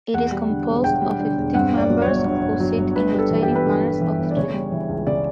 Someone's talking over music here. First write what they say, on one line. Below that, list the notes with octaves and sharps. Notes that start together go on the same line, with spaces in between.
It is composed of fifteen members who sit in rotating panels of three.
E2 F#5
G3
D3
E1
E2 G5
G3
D3
E1
G2 F#5
G1 D5
F#3
C#5
G1
G2
G1
F#3
G1
G2 B4
G3
A4
E3
G4
G1
B4
G2 A4
G3
E3
G1
D5
C#3 C#5
G3
E3
C#2
C#3 D5